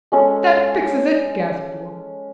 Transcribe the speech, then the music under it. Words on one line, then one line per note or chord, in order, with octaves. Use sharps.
"That fixes it!" gasped one.
G#3 C#4 A4